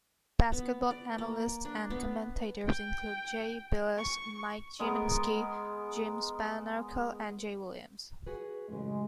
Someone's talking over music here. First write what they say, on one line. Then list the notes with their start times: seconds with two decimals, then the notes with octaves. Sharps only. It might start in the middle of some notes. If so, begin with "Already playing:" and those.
Basketball analysts and commentators include Jay Bilas, Mike Gminski, Jim Spanarkel, and Jay Williams.
0.52 B3
0.91 D5
1.18 A#3
1.65 D4
1.90 B3
2.67 G5
3.98 C#6
4.79 G#3 B3 A#4
8.26 F#4 G#4 B4
8.69 A1 F#2 C#3 G#3